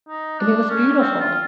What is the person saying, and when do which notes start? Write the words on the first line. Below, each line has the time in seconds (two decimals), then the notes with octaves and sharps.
and it was beautiful,
0.08 D#4
0.39 D4
0.69 C#4
1.00 C4
1.20 F4